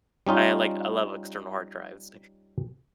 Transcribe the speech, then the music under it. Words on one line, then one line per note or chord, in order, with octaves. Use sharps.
I like, I love external hard drives, like,
G3 C#4 D#4 F4